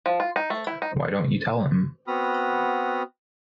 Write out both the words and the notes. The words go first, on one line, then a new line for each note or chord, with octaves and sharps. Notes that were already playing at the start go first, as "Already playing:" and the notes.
Why don’t you tell him?
F3
F4
D#4
A3
E4
D#4
B3 C4 F#4 B5 D#6 F6